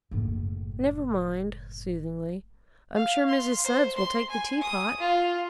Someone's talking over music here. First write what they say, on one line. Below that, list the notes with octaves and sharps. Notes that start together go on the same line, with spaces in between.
"Never mind," soothingly, "I'm sure Mrs. Sudds will take the teapot."
F#1 A2
F5
C6
C5
C6
G#5
D#6
F4